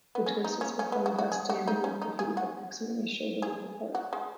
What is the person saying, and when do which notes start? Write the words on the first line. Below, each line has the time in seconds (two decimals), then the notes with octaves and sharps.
The twist is performed by standing with the feet approximately shoulder width apart.
0.15 B3
0.26 C#4
0.45 D#4
0.61 C#4
0.79 C#4
0.92 B3
1.06 F#4
1.18 F#4
1.32 G#4
1.50 F#4
1.67 D#4
1.84 C#4
2.02 D#4
2.19 G#4
2.37 F#4
3.42 G#4
3.95 F#4
4.13 G#3